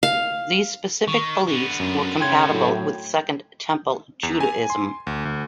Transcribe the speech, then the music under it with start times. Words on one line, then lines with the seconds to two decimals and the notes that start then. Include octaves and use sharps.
These specific beliefs were compatible with Second Temple Judaism.
0.03 F5
1.08 D#3 C#6
1.48 D3 B3
1.80 F#2
2.20 C#3 G5 C6 G#6
2.50 A2 F#3
4.23 E2
4.40 G#5
4.70 C6
5.07 D2
5.25 D2